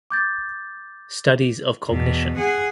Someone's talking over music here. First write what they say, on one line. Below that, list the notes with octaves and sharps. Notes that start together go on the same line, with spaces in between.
Studies of cognition.
D6 G6 A6
E2 B2
G#4 F#5